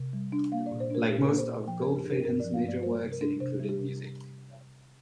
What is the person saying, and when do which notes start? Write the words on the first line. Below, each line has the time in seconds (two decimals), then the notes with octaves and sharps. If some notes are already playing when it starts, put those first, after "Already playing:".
Like most of Goldfaden's major works, it included music.
Already playing: C3
0.13 G3
0.32 D4
0.52 A#3 F5
0.66 A#2 D5
0.80 C5
0.90 D4 A#4
1.09 A#2 G4
1.24 A#3 A#4
1.38 C5
1.48 A#2
1.67 F3 G5
1.81 A#4
1.87 G2
1.96 G4
2.06 D4
2.11 A#4
2.25 G2 A#4
2.40 F3 D5
2.54 F5
2.63 G2
2.68 D5
2.83 G3 C5
3.02 C3
3.12 A#4
3.21 D4
3.40 C3 C5
3.60 G3
3.69 G4
3.79 C3